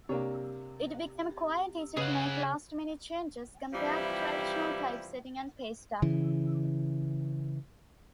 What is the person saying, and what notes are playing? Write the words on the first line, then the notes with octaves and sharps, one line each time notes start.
It became quite easy to make last-minute changes compared to traditional typesetting and pasteup.
C3 A#3 D4 C#5
C#3 G#4 B4 D#5 F#5 D#6
C3 E3 F3 G3 E4 G4
C#3 E3